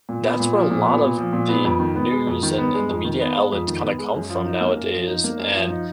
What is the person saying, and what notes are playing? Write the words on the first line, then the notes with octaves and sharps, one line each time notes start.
that's where a lot of the news and and the media outlets kinda come from nowadays, and
A#2
B3
A#2
F3
A#2
B3
A#2
F3
A#2
B3
F2
D#3
B3
G#3
F2
D#3
B3
G#3
F2
D#3
B3
G#3
F2
D#3
B3
G#3
F#2
F3
D#4
A#3
F#2
F3
D#4
A#3
F#2
F3
D#4